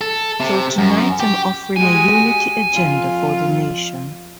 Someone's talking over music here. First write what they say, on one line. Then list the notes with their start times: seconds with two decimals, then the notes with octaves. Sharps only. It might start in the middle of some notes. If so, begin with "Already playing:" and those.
So tonight I’m offering a Unity Agenda for the Nation.
0.01 A4
0.40 C3
0.78 F#2
1.20 G4
1.76 G#3 F#4 G4 G#5
2.72 F2 F4